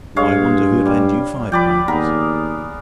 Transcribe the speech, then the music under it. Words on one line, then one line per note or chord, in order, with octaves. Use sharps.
I wonder who'd lend you five pounds?
G2 G#3 C#5 F5
G3
F3 B4 D5 G5
D#2 B3 G#4 A#4